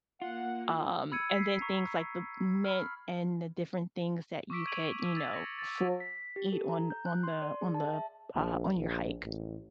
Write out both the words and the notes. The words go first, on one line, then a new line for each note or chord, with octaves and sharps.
um, and then things like the mint and the different things that you could, you know, for eat on on the on the uh, on your hike.
A#3 F4 F#5
B5 E6 G#6 C#7 D#7
B6 C7
A#5 C#6
B5 F6
C#6 D6 E6 B6 D7
G#6 D#7 F7 F#7
E6 D#7
E6 A6
A#6 C#7
A6
B6
G4
A4
A#5
G6
F#6
C6
D5
G#4
A5
E5
A#1
A#1
A1